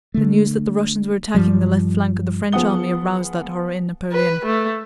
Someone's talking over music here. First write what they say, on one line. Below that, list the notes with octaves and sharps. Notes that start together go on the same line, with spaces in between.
The news that the Russians were attacking the left flank of the French army aroused that horror in Napoleon.
D3 A3
G2 F3 G3
F3 B3 G#4 F#5 D#6 G7
B4
A3